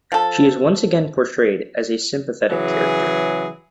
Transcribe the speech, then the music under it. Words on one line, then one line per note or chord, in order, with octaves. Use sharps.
She is once again portrayed as a sympathetic character.
F3 A4
C#3 E3 F#3 G#4